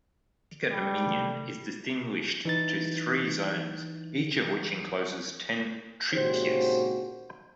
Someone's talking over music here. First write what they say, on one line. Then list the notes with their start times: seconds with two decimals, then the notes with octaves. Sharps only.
The Attica dominion is distinguished to three zones, each of which encloses ten "trittyes".
0.71 G3
1.06 C3 D#3 A3
2.45 E3 D#4 A6
6.14 G#1 A#2 C#3 F#4 G4 C5